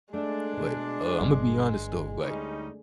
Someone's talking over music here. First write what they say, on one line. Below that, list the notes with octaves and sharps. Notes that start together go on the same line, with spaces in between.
But, uh, I'm gonna be honest though, like,
G#3 A3 D4
B2
G1 G2
D2 G3 C#4 D#4